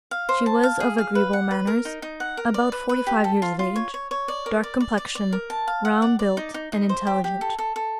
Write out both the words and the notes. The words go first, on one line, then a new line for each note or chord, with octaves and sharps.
She was of agreeable manners, about forty-five years of age, dark complexion, round built, and intelligent.
F5
C5
A5
F5
G#4
F5
B4
F#5
B4
A#4
D#4
D#4
F#5
A#4
D5
B4
B4
G4
A4
F4
F4
C#5
C#5
C#5
D5
A#4
D5
D5
D5
D5
A#4
A5
F5
F#5
D5
D5
D#4
D#4
D#4
C5
G4
G4
A4
A4
A4